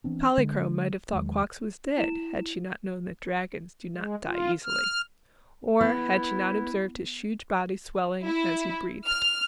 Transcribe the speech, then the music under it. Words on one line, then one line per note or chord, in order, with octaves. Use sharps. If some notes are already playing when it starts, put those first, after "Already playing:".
Polychrome might have thought Quox was dead had she not known that dragons do not die easily or had she not observed his huge body swelling as he breathed.
E3 B3 C4 D4
D3 G#3
E2 D#3 F#3 G#3
E4 E7
G#3
F4
F6
B3 E4
E4
F6